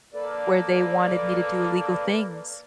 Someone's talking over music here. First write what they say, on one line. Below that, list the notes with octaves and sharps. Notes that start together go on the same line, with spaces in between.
where they wanted me to do illegal things.
A#3 A4 B4 D5